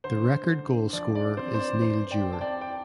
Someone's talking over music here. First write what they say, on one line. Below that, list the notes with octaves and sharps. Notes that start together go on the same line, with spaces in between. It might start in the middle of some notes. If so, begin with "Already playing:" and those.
The record goalscorer is Neil Dewar.
D3 C5
D3
F3 D5
D5
C4 C5
C5
D5
F2 C5
D5 G5
C4
A5
D5 G5
G5